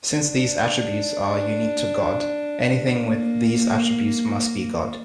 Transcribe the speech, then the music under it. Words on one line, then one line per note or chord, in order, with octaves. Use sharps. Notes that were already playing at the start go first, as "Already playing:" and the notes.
Since these attributes are unique to God, anything with these attributes must be God.
D4
A#3